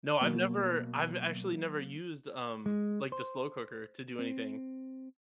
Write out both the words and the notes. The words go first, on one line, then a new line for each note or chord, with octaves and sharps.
No, I've never I've actually never used, um, like, the slow cooker to do anything.
B2 F#3 A#3
G#3
C5
C4